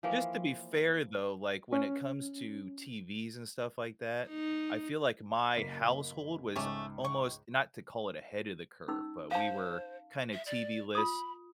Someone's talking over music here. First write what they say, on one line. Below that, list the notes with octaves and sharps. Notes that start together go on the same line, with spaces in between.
just to be fair, though, like, when it comes to TVs and stuff like that, I feel like my household was almost, not to call it ahead of the curve, but we were kinda TV-less
E3 F3 A#3
C#4
D#4
F#1 A#3 B6
C#2 G#2 A3 C#4 D6
C#6
C#4 D#4 E6
C5 F5 A5
E5
D5
F4 B5 D#6